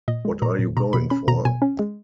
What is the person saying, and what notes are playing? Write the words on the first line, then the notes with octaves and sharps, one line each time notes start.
What are you going for?
A#2 D#5
G#3
A#2 A#5
A#2
B2 A#5
B2 B5
C#4 B5
B2 A#5
B2 G#5
C#4
G#3